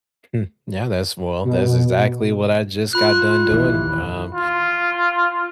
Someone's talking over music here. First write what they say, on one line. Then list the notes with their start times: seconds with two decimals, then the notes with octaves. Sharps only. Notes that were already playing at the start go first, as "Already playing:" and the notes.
Mm, yeah, that's well, that's exactly what I just got done doing, um,
1.45 B2
2.93 F4 B5 F#6
3.50 A#1 D#2 E3 E4
4.35 F4